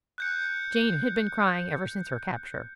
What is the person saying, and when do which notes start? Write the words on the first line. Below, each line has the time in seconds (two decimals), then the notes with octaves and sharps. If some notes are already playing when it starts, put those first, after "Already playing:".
Jane had been crying ever since her capture.
0.18 F#6 G6 C#7